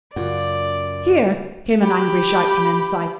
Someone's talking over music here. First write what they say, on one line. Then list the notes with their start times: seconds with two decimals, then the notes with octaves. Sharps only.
"Here!" came an angry shout from inside.
0.16 F#2 C#3 F4 D5 F#5
1.82 G4 B5